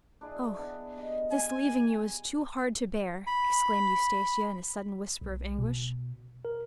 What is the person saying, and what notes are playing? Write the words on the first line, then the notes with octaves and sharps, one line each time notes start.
"O! this leaving you is too hard to bear!" exclaimed Eustacia in a sudden whisper of anguish.
D4 E4 G#4
B3 D4
G4 D#5
G#5
B5
B1
B2
A#4